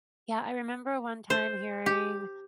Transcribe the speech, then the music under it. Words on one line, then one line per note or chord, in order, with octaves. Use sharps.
Yeah, I remember one time hearing,
C5
G4